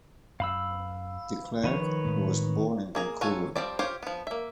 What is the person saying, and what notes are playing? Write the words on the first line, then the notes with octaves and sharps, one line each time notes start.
De Klerk was born in Vancouver.
F#2 F5 B5 E6
D#3 F3 B4 C#5
A2 G#3
A#3 G#4 A#5
F#3 F4 A4 C#5 G#5
F3 G3 C4 D5
F4 G4 C5 C#5 F5
F3 B3
A#3 E5